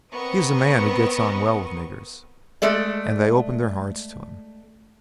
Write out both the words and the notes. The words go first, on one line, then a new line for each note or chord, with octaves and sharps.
He is a man who gets on well with niggers, and they open their hearts to him.
B3 C4 A#4 D#5 C#6 D#6
G#3 A3 A4 D5